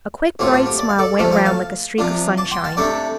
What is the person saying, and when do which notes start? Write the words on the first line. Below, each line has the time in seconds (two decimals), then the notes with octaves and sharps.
A quick, bright smile went round like a streak of sunshine.
0.39 A2 A3 C4 F4 G4
0.53 F4
0.66 G4
0.79 D5
0.89 F5
0.99 A4 D5
1.18 C3 F3 A3 C5 F5
1.32 C5 F5
1.45 F5 A5
1.98 C3 F3 D4 F4
2.37 A5 D6
2.51 G5 C6
2.64 F5 A5
2.77 C3 A3 D4 D5 G5